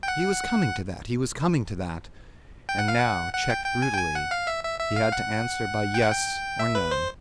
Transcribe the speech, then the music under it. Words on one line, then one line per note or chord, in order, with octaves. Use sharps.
He was coming to that, he was coming to that--and now, checked brutally, he had to answer by yes or no.
G5
F#5
G5
F#5
F5
F#5
F#5
G5
G5
G#5
G5
G#5
F#5
F5
E5
E5
E5
F5
F#5
G5
F#5
G5
E5
B4
C5